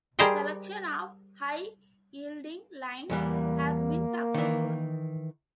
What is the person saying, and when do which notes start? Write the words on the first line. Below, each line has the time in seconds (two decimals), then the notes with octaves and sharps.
Selection of high-yielding lines has been successful.
0.19 G3 G#4 A#4 C5 D#5 G5
3.10 E2 E3 G3 A#3
4.34 D#3 E3